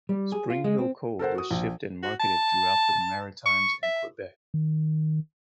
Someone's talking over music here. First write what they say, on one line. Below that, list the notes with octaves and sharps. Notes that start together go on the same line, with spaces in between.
Springhill coal was shipped and marketed throughout the Maritimes and Quebec.
G3
G#4
F4
G#3
C4
A4 A#4 C5 F#5
F#4 D#6
A#1
F#4
A5
C#6
E5
D#3